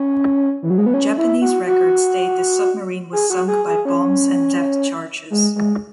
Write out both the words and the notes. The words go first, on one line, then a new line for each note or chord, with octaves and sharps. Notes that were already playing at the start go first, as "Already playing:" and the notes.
Japanese records state this submarine was sunk by bombs and depth charges.
Already playing: C#4
E3
F#3
G#3
B3
C#4
E4
F#4
F#4
G#4
F#4
G#4
G#4
C#4
G#3
G#3